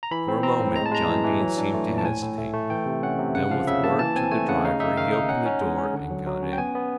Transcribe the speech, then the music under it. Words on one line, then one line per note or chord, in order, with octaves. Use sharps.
For a moment John Dene seemed to hesitate, then with a word to the driver he opened the door and got in.
A#5
E3 B5
C4
C4 A#5
A2
G#3 A#5
A5
G#3 A#5
E3
E3
F#3
D4
A3
A#2
A5
A2 G#5
A2
A3
A3
E3 G5
C3
C#4 F#5
C3
C#3 F#5
F3 F5
C#3 E5
A#3 A5
E3 A5
C4 G#5
A3 G#5
C#3 F#5
D#4 F5
D#4 E5
D#3 F5
D#4
C#4 F#5
C#4
G#3
C#4
D3
F#3
F#3
C#4
G5
B3 G#5
B3